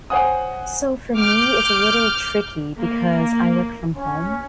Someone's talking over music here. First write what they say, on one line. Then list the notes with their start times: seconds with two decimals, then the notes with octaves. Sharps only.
So for me, it's a little tricky because I work from home
0.10 C5 C#5 F#5 G#5 D#6
1.15 D6 F6 G6
2.79 A#3
3.94 C#4